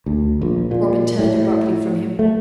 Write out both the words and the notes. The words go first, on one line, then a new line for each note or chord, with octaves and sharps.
Robin turned abruptly from him.
D2
A#1
A#2
A2
A3